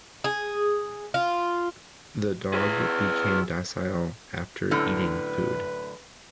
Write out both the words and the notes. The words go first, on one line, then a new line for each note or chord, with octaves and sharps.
The dog became docile after eating food.
G#4
F4
G#4 B4
F#2 A2 D3 B4